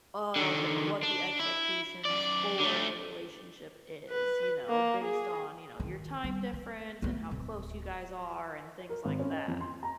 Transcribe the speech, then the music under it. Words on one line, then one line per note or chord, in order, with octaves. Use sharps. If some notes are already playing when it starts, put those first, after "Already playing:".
of what the expectations for the relationship is, you know, based on, you know, your time difference, and how close you guys are, and things like that.
D3 D#3
D4
E4
F#2 D5
D3 A3
B4
A#3
G#4
D#3
G3
A#3
A3 B3
D1
A#4
G#1
C#4
D#5
F2
C6
A#5